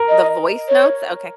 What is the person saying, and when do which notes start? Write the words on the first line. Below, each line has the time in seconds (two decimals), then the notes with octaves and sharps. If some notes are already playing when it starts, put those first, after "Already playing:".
the voice notes? Okay.
Already playing: A#4
0.09 D#5
0.69 C#5